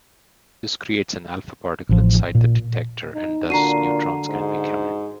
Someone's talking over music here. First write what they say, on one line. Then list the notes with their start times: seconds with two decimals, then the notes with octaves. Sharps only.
This creates an alpha particle inside the detector and thus neutrons can be counted.
1.89 A1 F3
2.35 A#2
3.14 D#4
3.50 A#2 D3 D4 F#4 A#5 C7 D#7
4.29 G#2